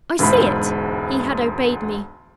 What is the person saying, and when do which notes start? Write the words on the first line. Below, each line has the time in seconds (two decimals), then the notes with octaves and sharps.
"I see it." He had obeyed me.
0.19 E1 D2 G#2 B5